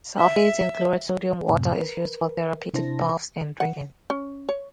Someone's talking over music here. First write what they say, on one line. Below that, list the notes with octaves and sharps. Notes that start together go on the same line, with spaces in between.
Sulphate and chloride sodium water is used for therapeutic baths and drinking.
E5
F#2 A2 C3
A#4 B4
C3 D4 E4 C5 A5 A#6
F#5
C#4
C#5